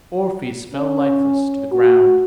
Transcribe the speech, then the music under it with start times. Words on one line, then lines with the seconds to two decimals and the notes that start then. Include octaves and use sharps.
Orpheus fell lifeless to the ground.
0.74 C#4
1.72 F#4